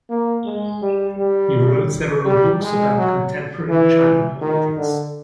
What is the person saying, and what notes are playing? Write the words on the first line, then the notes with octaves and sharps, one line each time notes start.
He wrote several books about contemporary China politics.
A#3
G#3
G3
G3
G3
G#3
F#3
E3
D#3
D3